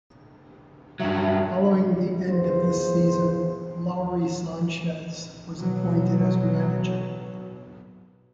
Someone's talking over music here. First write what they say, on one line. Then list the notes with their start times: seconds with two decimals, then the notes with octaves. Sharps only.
Following the end of the season, Lawrie Sanchez was appointed as manager.
1.00 G2 F#3 E5
2.30 E2 F3 C5
5.57 B2 F#3